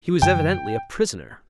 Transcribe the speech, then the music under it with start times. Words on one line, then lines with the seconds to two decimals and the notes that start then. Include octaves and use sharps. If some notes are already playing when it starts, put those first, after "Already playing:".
He was evidently a prisoner.
0.22 F#2 D3 F#3 G5